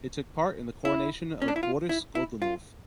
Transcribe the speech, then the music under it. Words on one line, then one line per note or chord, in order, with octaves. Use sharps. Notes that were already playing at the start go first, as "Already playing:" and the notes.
He took part in the coronation of Boris Godunov.
E4
C#4
D4
E4
F4
E4
E4
F4